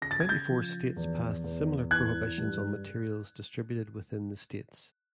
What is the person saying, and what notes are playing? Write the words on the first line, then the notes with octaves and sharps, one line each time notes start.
Twenty-four states passed similar prohibitions on materials distributed within the states.
C#3 A#6
A6
G#6
G6 A6
F3
E2
E2
E3 F#6 G#6
G2